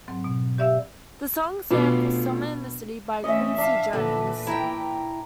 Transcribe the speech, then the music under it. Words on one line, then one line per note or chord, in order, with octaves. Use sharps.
The song samples Summer in the City by Quincy Jones.
G#2 F#3 C4
B2
G4 D5 E5 F5 E6
B2 A3 D4 F4 F5
E3 A3 C#4 D#5 E5
D4 E5 F5
A#2 D3 E3 A4 B4
E4 G5 A#5